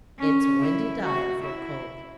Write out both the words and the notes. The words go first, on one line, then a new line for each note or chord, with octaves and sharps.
It's windy diet for a colt.'
C#4
E4
F#4
E4